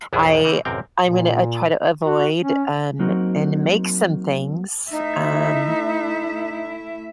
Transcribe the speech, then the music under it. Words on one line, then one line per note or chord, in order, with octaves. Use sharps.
I I'm gonna I try to avoid, um, and make some things, um,
A#1 E2 B3 E4 G4 G#4
C#3 E3 C4
A1 F#2 C3 C4 A#4 G5
A#2
F#4
C#4
F#3 A#3 C4 D#4 F#4
A3 D#4 E4 E5